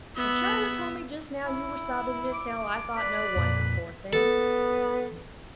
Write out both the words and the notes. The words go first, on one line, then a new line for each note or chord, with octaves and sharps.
When Charlotte told me just now you were sobbing, Miss Hale, I thought, no wonder, poor thing!
B3 E5
E4
D6
B4 D5
F2 A#2
B3 A4